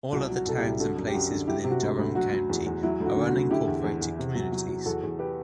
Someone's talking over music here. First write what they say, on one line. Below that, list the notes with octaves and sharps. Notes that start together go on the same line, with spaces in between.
All other towns and places within Durham County are unincorporated communities.
C2 F#4
F#3
F#4
C2 A4
E4 G4
C2
D3 F#4 A4
F#2
G4
F#2 F#4
D3
F#3 E4 G4
C3 G4
F#4
D2
D2
F#3 F#4
F#3
E2
E2
F#3 E4
D2
F#4
D3
F#4
F#3
D3 E4 G4
E2
E2
E2
C3
F#3
F#3
F#3
E2 F#4 A4
E2
G4 B4